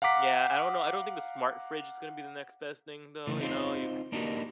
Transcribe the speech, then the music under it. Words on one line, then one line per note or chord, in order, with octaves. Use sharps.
Yeah, I don't know, I don't think the smart fridge is gonna be the next best thing, though, you know? You
F5 F#5 A#5 D6 B6
C#3 E3 A3
C4 D#4 F4 A#4 C5
A#3 D4 D#4 F#4 G4 A#4